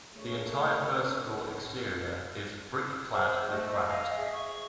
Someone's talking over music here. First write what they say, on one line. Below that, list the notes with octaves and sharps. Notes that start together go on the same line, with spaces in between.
The entire first floor exterior is brick-clad with granite.
A3 D4 G#4 A#4 C#5
G#4 C5
A3 D#5
F5 G#5
G#4 E5
C#6